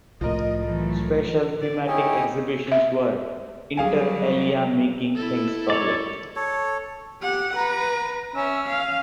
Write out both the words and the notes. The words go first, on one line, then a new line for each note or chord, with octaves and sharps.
Special, thematic exhibitions were, inter alia Making Things Public.
C2 A2 F3 A#4 D#5
E3 F#3 A3
D5
C#4 D#4 E4 G4 G#4 C#5
E5
F#3 G3 G#4 F5 G#5
E4 A4
C#5 D5
A4 C#5
G4 F#5
B4 A#5
C#4 E5
F5